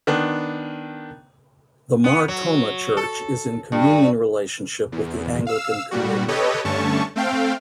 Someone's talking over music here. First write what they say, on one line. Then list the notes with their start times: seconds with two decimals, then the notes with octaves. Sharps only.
The Mar Thoma Church is in communion relationship with the Anglican Communion.
0.07 D#3 B3 D4
2.04 B3
2.28 F#3
2.97 A4
3.72 G2
4.92 E2
5.47 F5 E6
5.91 A#2 G3 F#4
6.28 G4 A4 B4 C#5 D#5
6.65 G2 D3 A3 C#4 A5 C#6
7.16 A3 C4 F5 G5